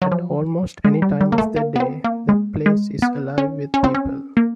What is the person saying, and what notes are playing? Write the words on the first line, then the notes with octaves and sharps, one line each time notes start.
At almost any time of the day, the place is alive with people.
F#3
F3
G#3
G3
G3
A#3
A3
A#3
B3
C4
A#3
G#3
G#3
B3
C#4
C#4
C4
C#4
A#3